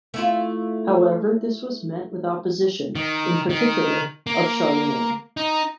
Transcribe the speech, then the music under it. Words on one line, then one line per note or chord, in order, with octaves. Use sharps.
However this was met with opposition, in particular of Charlemagne.
A3 E4 F4
D#3
D#3
A#3
D#4